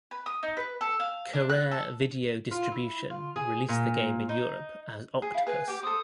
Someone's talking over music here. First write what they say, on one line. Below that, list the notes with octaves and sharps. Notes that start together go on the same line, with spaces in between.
Carrere Video Distribution released the game in Europe as Octopus.
B4
D#6
D#4
B4
A4
F5
D4
F#6
A4
F4
E4
F4
G#4
A#2
D#4
G#4
E4 F5
G#4 B4 G#5
G4 G5 D6
A4 C5 D#6